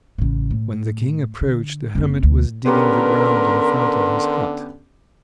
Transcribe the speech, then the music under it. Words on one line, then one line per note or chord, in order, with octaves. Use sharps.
When the King approached, the hermit was digging the ground in front of his hut.
A1 C#3
A2
D3
F#1 C4
D2
D3 B3 C#4 G4 A#4 B4 C6